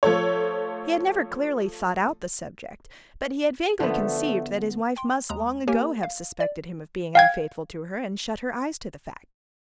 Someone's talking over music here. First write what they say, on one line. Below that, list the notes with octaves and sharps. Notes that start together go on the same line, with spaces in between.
He had never clearly thought out the subject, but he had vaguely conceived that his wife must long ago have suspected him of being unfaithful to her, and shut her eyes to the fact.
F3 A3 A4 C#5
D3 F3 A3 B3
G5 C6
D#2 G#3 A#5 D#6
A#3 G4 A#4 C#5 G#5
F5
D5
F5 G5 G#6